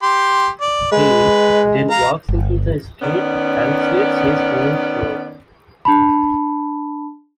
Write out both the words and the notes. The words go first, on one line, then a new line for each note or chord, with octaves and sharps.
He then walks into the street and slits his own throat.
G4 C6
D5
G#3 B4
F5 A#5
G1
D#3 B3 C#4 D5
D4 A5 B5